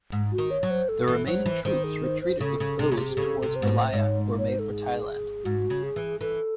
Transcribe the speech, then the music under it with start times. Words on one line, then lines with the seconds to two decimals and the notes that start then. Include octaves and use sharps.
The remaining troops retreated with Bose towards Malaya or made for Thailand.
0.12 G#2
0.32 F#4
0.38 D#3
0.50 C#5
0.63 F#3
0.70 C5
0.89 A4
1.08 E3
1.27 F#3 C5
1.46 E3
1.65 D#3 C5
1.84 G#4
2.03 C5
2.22 C5
2.41 C#3 A4
2.60 C#3
2.79 C3 G#4
2.91 C#3
2.98 C3
3.17 C#3 A4
3.42 C3
3.56 C5
3.62 G#2
3.67 A2
3.88 C5
3.93 G#2 C#5
4.39 C#5
4.49 C5
4.59 A4
4.70 G#4
5.45 G#2 F#4
5.70 C#3
5.83 G#4
5.96 E3
6.21 E3 A4